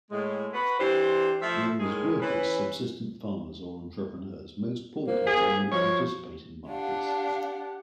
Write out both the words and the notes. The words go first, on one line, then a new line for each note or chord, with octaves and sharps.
Whether as workers, subsistence farmers or entrepreneurs, most poor people already participate in markets.
A2 G#3
F#4 B4
E3 D4 G4 C5
F3 A3 C5 E5
A2 D#3 G#3 G#4
E3 C#4 B4
A#3 C5
G#4
F3 F#4 C#5
D4 G4 F5 F#5